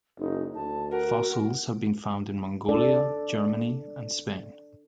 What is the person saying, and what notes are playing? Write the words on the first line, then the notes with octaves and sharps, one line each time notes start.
Fossils have been found in Mongolia, Germany, and Spain.
F#1 D#4
D2 A5
F#4 A#4
D4 A4 D5